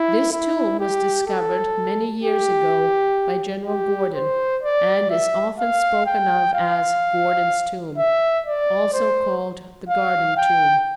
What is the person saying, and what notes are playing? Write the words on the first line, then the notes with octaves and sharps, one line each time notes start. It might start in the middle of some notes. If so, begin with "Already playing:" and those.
This tomb was discovered many years ago by General Gordon and is often spoken of as Gordon's Tomb, also called the Garden Tomb.
Already playing: E4
E4
G4
A4
G4
G4
C5
D5
E5
F5
G5
F5
E5
D5
C5
F5
G5